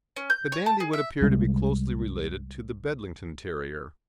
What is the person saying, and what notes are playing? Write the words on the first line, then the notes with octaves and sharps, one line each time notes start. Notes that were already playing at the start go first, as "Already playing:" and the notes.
The Dandie would appear to be closely related to the Bedlington Terrier.
C#4
G6
C#5
A5
G#4
E5
C2 C3 G3 G#3